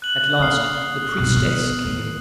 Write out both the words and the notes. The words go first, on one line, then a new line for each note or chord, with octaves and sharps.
At last the priestess came in.
F#6 F#7
A#3 D#6 F6 C7
B1 G2
B3
D#2